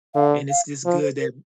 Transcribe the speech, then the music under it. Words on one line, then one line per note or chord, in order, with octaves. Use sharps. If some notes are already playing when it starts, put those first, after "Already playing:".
And it's just good that
D3 F5
F5
F3
C5
A#4